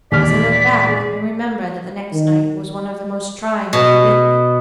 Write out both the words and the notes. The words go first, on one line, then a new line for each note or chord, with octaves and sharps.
As I look back, I remember that the next night was one of the most trying of the week.
D#2 A#2 E3 G#3 D5 F6 B6
G#4
D#3
B2